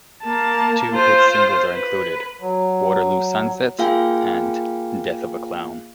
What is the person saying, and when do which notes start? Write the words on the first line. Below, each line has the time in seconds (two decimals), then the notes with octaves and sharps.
Two hit singles are included: "Waterloo Sunset" and "Death of a Clown".
0.24 A#3 A5
0.92 F4 C5
1.72 B4
2.41 F#3
3.79 A#3 F4 G#4 F5 G5 G#5